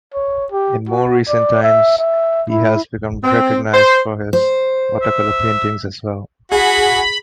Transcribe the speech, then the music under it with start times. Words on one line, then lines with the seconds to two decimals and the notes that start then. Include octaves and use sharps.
In more recent times, he has become recognised for his watercolour paintings as well.
0.14 C#5
0.52 G4
0.89 F#4
1.28 D5
1.63 E5
1.98 E5
2.49 E4
3.24 C4
3.74 C5
4.33 C5
5.02 E5
6.52 F#4 G#4 F#5 B5